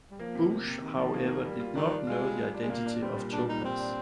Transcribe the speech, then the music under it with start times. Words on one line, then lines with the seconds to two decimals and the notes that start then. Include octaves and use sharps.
Busch however did not know the identity of Topaz.
0.11 G3
0.19 F3 A#3
0.35 C3
0.51 C3
0.66 C3
0.82 C3 D#3
0.97 F3
1.14 A#3
1.28 A#3
1.45 G3
1.60 F4
1.75 D#3 D4
1.91 D4
2.07 G#3 F4
2.23 G3
2.38 G3
2.54 D4
2.62 G#3
2.70 A#2 A#3
2.86 D4
3.01 G3 C4
3.16 A#2
3.32 A#2 D4
3.49 G3 D#4
3.65 G3 C4
3.80 D4